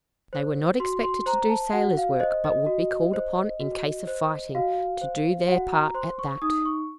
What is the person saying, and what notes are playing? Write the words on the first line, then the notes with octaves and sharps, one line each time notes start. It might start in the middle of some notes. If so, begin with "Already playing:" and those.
They were not expected to do sailor's work, but would be called upon in case of fighting to do their part at that.
C5
F#4 C6
C6
C5 A#5
A5
F#4 F#5
F5
C5 D#5
D#5
F#4
C5
F#4
C5
F#4 F5
C5
F#4 F#5
A#5
C5 C6
C#6
D#4 D#6
C#6